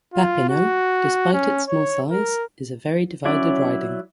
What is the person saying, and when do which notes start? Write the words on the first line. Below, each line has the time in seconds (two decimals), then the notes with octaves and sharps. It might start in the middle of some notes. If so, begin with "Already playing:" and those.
Papineau, despite its small size, is a very divided riding.
0.14 F4
0.49 F#4
1.33 C#4
1.68 C#5
2.11 A#4
3.25 F#3 C#4 E4 D5